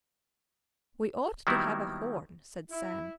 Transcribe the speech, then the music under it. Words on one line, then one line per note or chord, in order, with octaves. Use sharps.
"We ought to have a horn," said Sam.
D#3 F#3 G3 A#3 B3 E4
E4